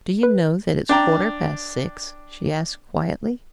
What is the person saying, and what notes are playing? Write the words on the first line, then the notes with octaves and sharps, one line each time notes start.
"Do you know that it's quarter-past six?" she asked quietly.
B4
D4 G5 A#5